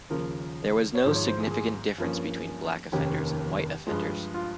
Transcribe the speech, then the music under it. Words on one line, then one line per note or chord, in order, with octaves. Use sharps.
There was no significant difference between black offenders and white offenders.
D#2 C#3 F3 A#4
C#5
G#1 G#2 F3 C5
C#5
C5
G#4
G#4
G2 F3 A#3 C#4
F1 D#2 D#3 A#3 C#4 G4
G2 F3 G#3
F4